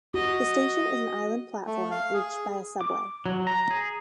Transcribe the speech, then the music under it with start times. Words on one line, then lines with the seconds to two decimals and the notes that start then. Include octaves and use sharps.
The station is an island platform reached by a subway.
0.14 F#4 D#5
1.67 A3
1.91 F5
2.14 G#4
2.81 D6
3.26 F#3
3.47 A#5
3.71 G#4